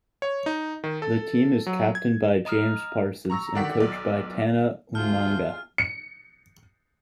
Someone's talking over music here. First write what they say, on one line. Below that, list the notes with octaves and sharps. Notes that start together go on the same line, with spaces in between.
The team is captained by James Parsons and coached by Tana Umaga.
C#5
D#4
D#3
A4
F#3
G#6
D#5 A#5 D#6 F6
A#5 C#6 E6 A#6
D3 D#3 D5 F#5 G5 B6
B1 D5
D2 F4 G#4 A5 F6 G6
C#7